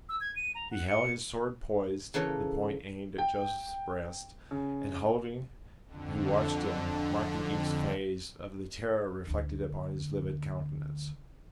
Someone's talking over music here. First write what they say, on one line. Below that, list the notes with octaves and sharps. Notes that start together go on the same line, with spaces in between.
He held his sword poised, the point aimed at Joseph's breast, and holding, he watched him, marking each phase of the terror reflected upon his livid countenance.
E6
G#6
D#7
A#5
F#5
C#7
C#3 E3 A#3 A4 C#5
G5
C#3
F2 D3
D2 D3